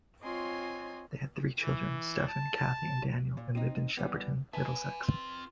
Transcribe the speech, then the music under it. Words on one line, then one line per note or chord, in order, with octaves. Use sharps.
They had three children, Stephen, Cathy and Daniel, and lived in Shepperton, Middlesex.
C4 F4 C#5 D#5 G#5 C6
E3
A5
A#2
C4 D#4
E3 G3 B3
B4 E5 G#5 A5
C4 F4